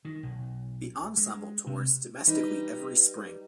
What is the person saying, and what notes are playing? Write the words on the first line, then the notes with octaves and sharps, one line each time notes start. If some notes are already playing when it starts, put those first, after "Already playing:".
The ensemble tours domestically every spring.
D#3
B1
G#3
C3
G3 D#4 B4